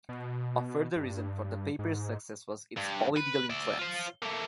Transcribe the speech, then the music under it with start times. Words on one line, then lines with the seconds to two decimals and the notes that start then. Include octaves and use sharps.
A further reason for the paper's success was its political influence.
0.09 B2
0.96 G2
1.79 G#2
2.76 G2
3.16 B4
3.50 D5 E5
3.79 F4 C5
4.22 A3 A#3